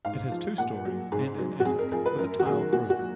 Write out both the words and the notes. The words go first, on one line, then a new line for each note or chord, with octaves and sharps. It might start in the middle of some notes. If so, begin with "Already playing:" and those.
It has two storeys and an attic, with a tiled roof.
G#2 F5
F3
A#2 F#5
F#3
G#2 G#4
F#3
F#4
F2 G#4
A#4
F3 G#4
B4
F#2 A#4
F#4
D#3 F#3 G#4
A#2 F#4
F#4
F#3